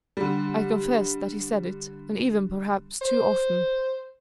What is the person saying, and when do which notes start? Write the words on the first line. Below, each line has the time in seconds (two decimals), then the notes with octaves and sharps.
"I confess that he said it, and even perhaps too often."
0.17 D3 G3
3.02 C5